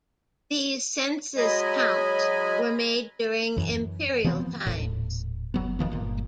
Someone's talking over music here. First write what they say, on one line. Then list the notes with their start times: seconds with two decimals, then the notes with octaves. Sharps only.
These census counts were made during imperial times.
1.37 F#3 G#3 D#5 G#5 B5
3.56 F#2 E3
4.24 E3 F3 B3 C4
4.67 D#1 A2
5.54 F#1 F#3 B3
5.79 F1 D#3 F3 B3
5.92 G1 A#2